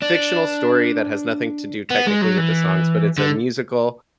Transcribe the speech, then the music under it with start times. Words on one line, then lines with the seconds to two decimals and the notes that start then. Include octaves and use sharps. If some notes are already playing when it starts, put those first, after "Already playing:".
fictional story that has nothing to do technically with the songs, but it's a musical,
0.02 D4
1.91 B3
2.07 G#3
2.22 F#3
2.38 E3
3.18 D3